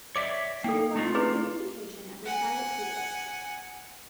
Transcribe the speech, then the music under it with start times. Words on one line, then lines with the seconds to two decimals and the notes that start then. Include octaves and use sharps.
She acquired a good education under private tutors.
0.16 C#5 D5 E5 D6
0.64 A#3 A4 G5
0.96 A3 C4 F4
1.15 E4 G#4 B4
2.25 F#5 G#5